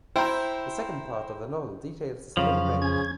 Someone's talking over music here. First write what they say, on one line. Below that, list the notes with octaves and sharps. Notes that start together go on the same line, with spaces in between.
The second part of the novel details the spring break.
E4 C5 G5 A#5 G6
F2 C#3 F3 F#3 F5
C#4 G#4 G#6